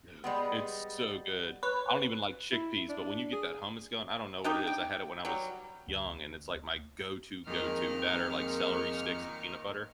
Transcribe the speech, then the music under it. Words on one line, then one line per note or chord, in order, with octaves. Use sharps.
Dude, it's so good, I don't even like chickpeas, but when you get that hummus going, I don't know what it is, I had it when I was young, and it's, like, my go to go to, that are like celery sticks and peanut butter,
G3 G#3 B3
B4 C#5
E4
D4
G#4
D4 D#4 G4
G5
F#3 G3
D2
F2 A#2 D#3 G#3 A#3 F6 C#7